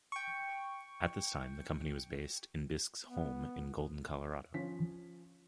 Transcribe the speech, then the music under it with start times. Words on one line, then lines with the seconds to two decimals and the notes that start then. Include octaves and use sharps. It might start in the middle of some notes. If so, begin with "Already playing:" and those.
At this time, the company was based in Bisque's home in Golden, Colorado.
0.12 G5 C#6
3.05 B3
4.54 F3 C#4 B6